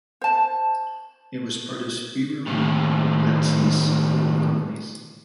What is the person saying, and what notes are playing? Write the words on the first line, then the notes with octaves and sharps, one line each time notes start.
It was part of Spiro Latsis group of companies.
C5 A5
D#2 A2